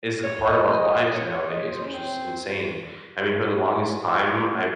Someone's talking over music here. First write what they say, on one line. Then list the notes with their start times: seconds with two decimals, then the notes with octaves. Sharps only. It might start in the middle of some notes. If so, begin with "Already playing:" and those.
is a part of our lives nowadays, which is insane. I mean, for the longest time I've
0.23 C#5
0.46 D#5
0.69 D#5
1.15 C#5
1.26 C#5
1.37 C#5
1.48 D#5
1.60 C#5
1.72 C5
1.83 C#4
1.94 C4